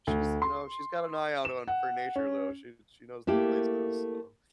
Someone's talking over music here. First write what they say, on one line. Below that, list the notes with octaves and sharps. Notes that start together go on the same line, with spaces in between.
she's, you know, she's got an eye out on for nature though, she, she knows the places." so,
D2
C6
E7
F#5
C#4
A3 A#3 E4 G4